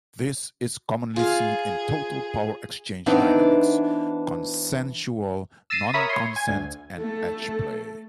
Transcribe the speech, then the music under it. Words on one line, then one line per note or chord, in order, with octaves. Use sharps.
This is commonly seen in total power exchange dynamics, consensual non-consent, and edgeplay.
F4 G#4 F5
E3 B3 C4 D4 D#4
E6 A6 A#6 C7 D#7
A#4 C#5 E5 B5 D#6
C#5 C6
G#5
D2
A3 A4